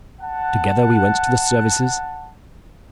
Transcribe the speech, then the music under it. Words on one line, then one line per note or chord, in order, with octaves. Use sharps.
Together we went to the services.
F#5 A5